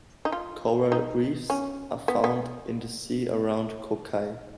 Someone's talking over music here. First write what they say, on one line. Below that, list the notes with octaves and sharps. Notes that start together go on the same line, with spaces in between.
Coral reefs are found in the sea around Ko Khai.
D#4
F4
D#4
C#4
B3
B3